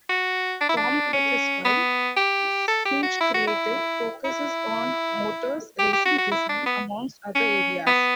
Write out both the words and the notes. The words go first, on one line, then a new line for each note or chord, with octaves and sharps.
Formed with his wife, "Sinch Creative" focuses on motor racing designs amongst other areas.
F#4
D4
E4
D4
C#4
B3
G4
A4
G4
F#4
E4
F#4
E4
E4
G4
G4
F#4
F#4
E4
D4
B3
C#4
B3